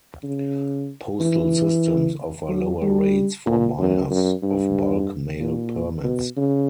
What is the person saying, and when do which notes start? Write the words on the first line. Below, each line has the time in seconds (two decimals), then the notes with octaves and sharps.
Postal systems offer lower rates for buyers of bulk mail permits.
0.23 C#3
1.20 E3
2.49 F#3
2.82 G3
3.47 A#2
3.79 F#2
4.11 F#2
4.42 G2
5.40 A#2
6.04 B2
6.37 C#3